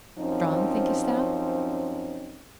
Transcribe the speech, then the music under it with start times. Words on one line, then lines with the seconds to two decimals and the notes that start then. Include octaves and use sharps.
"Strong, thinkest thou?"
0.19 F#2 F3 C4 C#4 D#4